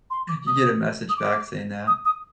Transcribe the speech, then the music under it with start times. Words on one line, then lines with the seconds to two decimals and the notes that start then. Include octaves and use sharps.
you get a message back saying that.
0.10 C6
0.28 D6
0.46 D#6
1.09 D#6
1.17 D6
1.87 D#6
2.05 D#6